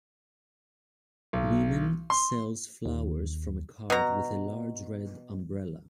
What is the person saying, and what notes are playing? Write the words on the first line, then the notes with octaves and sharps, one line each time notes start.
Women sells flowers from a cart with a large red umbrella.
B1
C6
D#2
B2 A#5